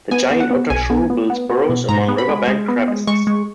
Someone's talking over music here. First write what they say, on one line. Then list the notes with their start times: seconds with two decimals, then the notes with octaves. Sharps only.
The giant otter shrew builds burrows among riverbank crevices.
0.11 B3 G#5
0.31 B3
0.40 F#5
0.51 B3
0.70 B1 G#5
0.90 B3
1.10 B3
1.30 B3
1.49 B3
1.69 B2
1.89 G#2 A#5
2.08 B3
2.18 B5
2.29 G#3
2.48 G#3
2.68 B3
2.88 G#3
3.07 G#3 C#6
3.27 G#3